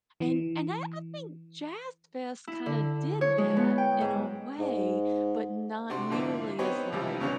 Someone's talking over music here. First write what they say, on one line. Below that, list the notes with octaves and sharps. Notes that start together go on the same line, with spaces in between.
and and I I think Jazz Fest kinda did that in a way, but not nearly as, like,
E3
E4
D3
C#5
G#3
B3
G5
G#2
G#2
C3 D4 F#4 C6
G#2 D3 F3 A#3 D4 E4
B3 C4 D#4 G4 B4 C#5
C#2 C3 D#3 F3 G3
E2 G2 C#3 B3 C#4 D4